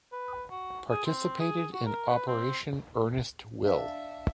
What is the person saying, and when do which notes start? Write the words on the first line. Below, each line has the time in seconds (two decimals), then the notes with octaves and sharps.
Participated in Operation Earnest Will.
0.12 B4
0.51 F#4
0.90 G#4
1.06 C4
1.40 G#4
1.73 F#4
1.86 A#4
2.10 B4
2.27 C4
3.65 D4 E5 F5